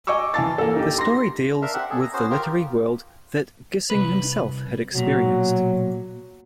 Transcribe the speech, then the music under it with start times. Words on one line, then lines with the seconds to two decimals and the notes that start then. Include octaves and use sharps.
The story deals with the literary world that Gissing himself had experienced.
0.07 D#5 G#5 C#6 D6 E6
0.34 E3 F5 A5 A6
0.58 A#3 A4
0.76 D#4 G4
0.98 C6 A#6
1.62 D4 A#4 E5 F5
1.74 C4 G4 E5 F#5
1.90 G#4 A4
2.01 A#5
2.13 B3 C#4 F#4 C5
2.30 F4 G4 A#4
3.90 C2 B4
4.94 B1 A#2 F#3